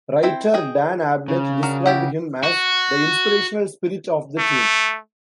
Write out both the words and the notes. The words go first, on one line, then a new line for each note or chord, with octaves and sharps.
Writer Dan Abnett described him as "the inspirational spirit" of the team.
C4 E4 G5
G#4 D#5 G5
C#3
D4 F#4 A#4
E4 G4 F#5
F#4
A3